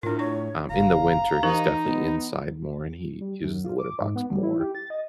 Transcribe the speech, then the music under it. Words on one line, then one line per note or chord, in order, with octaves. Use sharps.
Um, in the winter, he's definitely inside more, and he uses the litter box more,
A2 D4 F4 A#4
D4 C#5 C#6
F#1 F5 A#5
E3 D#4 G4 A#4
B3
G3
F#2
F4
D6
G#2
B3
G3
E4
G4
A6
D#5